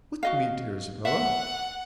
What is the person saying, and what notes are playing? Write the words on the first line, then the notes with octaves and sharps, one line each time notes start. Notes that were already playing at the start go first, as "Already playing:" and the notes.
"With me, dear Isabella!"
F#4 D#5 F5
E5 F#5